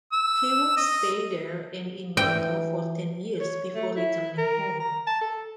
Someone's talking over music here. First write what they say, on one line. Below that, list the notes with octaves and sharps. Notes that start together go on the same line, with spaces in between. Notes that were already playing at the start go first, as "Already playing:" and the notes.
He would stay there and in Macau for ten years before returning home.
E6
D#5
E3 G5
C#5
A3
E4
A#4
A#5
A5
A4